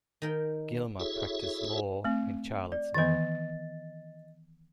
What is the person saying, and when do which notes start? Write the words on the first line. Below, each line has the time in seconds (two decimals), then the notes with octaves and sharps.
Gilmer practiced law in Charlottesville.
0.22 D#3 A#4 G5
1.00 E4 F#4 G#4 A4 C#5 E5
2.04 A3 C4
2.72 D5
2.94 D#3 E3 B3 D#5 A6